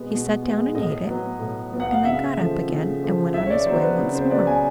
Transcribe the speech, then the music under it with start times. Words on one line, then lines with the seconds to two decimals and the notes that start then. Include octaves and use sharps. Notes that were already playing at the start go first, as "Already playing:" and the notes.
He sat down and ate it, and then got up again and went on his way once more.
Already playing: B2 G#3 B3
0.10 B2
0.43 G#3 B3
0.75 A2 D#5
1.07 F#3 B3
1.40 A2
1.72 F#3 B3
1.80 F#5
1.92 F5
2.04 C#3 E5
2.37 F3 A3
2.69 C#3
3.02 F3 A3
3.34 C#3 E5
3.46 C#5
3.50 D5
3.66 F#3 B3 C5
3.83 B4
3.99 C#3
4.15 C5
4.31 F#3 B3 D5
4.47 G#5